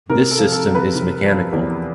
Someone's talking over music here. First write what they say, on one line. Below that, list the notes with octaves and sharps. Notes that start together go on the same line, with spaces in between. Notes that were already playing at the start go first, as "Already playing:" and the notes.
This system is mechanical.
C3 A#4
A4
F3
A4
F3
B4
C3
F3
E2